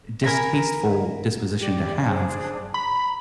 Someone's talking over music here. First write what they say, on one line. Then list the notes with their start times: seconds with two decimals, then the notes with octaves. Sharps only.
distasteful disposition to have.
0.24 A#4 G#5 A#5 B5
1.59 G4 D5
2.07 D4 G#4 C5
2.74 A#5 B5